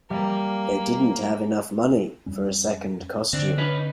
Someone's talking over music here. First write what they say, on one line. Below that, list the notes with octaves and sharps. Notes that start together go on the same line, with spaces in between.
They didn't have enough money for a second costume.
G3 A#3 F5
F2 G3 C#4
D3 C4 D4
C#4 D#4 B4